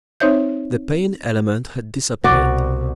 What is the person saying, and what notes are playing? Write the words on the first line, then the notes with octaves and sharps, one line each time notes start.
The pain element had disappeared.
C4 D#4 C5 C#5 E5 G6
C2 B2 F#4 D5